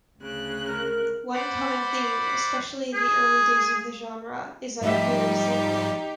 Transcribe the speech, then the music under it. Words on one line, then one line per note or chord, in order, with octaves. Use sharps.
One common theme, especially in the early days of the genre, is uncleared sampling.
D2 C#3 F#6
A#4
C5 D5 F#5 B5
G#4
G#2 F3 G3 A3 D#4 G4 E5